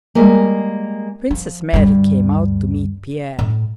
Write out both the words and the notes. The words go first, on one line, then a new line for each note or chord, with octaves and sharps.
Princess Mary came out to meet Pierre.
G3 G#3 A#3
F3
D2 G2
A2